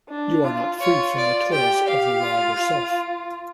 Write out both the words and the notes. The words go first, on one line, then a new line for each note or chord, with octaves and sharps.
You are not free from the toils of the law yourself!
D4
F4
F4 C#5
D5
G4 G5
F5
F4